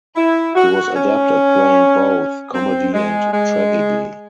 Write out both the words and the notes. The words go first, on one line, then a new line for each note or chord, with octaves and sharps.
He was adept at playing both comedy and tragedy.
E4
F#4
C#4
C4
G#3
G#3